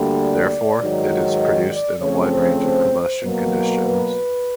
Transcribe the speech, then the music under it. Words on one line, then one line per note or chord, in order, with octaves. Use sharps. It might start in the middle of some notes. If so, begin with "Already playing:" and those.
Therefore, it is produced in a wide range of combustion conditions.
Already playing: D2 D3 G3 A#3
D5
G#2 D#3 F#3
D#5
D5
C#3 F3 A3 C4 C#5
C5
B2 F#3 A#3
B4